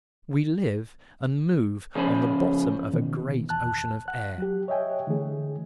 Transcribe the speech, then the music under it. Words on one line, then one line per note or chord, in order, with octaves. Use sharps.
We live and move on the bottom of a great ocean of air.
C#3 F3 C#4 C5 B5
B2 D#3 E3
E2 A5 F#6
F#5 F#6
F#3 G4
C#5 D#5 E5 G5 G#5
D3 E3 A3 G#4